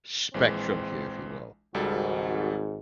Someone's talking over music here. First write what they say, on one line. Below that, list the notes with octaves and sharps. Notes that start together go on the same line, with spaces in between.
sh spectrum here, if you will,
A#1 E3 G#3 C4
G#1 C#2 G#2 G3 F#4 A4